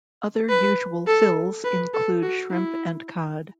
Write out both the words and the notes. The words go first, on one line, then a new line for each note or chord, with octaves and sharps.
Other usual fills include shrimp and cod.
B4
A4
B4
A4
F#4
E4